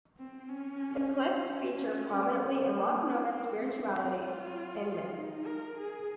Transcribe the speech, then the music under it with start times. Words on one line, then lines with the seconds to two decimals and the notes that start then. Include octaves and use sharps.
The cliffs feature prominently in Wampanoag spirituality and myths.
0.19 C4
0.49 C#4
1.43 C#4
1.74 C#4
2.68 A#3
3.30 C4
3.61 C4
4.23 F4
5.16 D#4
5.46 A#4
5.78 G#4